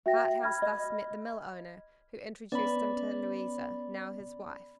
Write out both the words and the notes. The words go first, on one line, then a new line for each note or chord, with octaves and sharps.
Harthouse thus met the mill owner, who introduced him to Louisa, now his wife.
F#4 E5 G5 A#6
B5 F6 G#6
D#5
B3 C#4 D5 B5